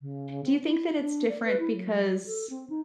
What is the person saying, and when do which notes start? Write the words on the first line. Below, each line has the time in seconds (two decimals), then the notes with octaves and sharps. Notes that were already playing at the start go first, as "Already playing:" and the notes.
Do you think that it's different because
0.01 C#3
0.45 C4
0.64 E4
1.00 D4
1.29 D5
1.45 B4
1.60 E4
1.74 F#3
2.26 A4
2.50 C4
2.70 D#4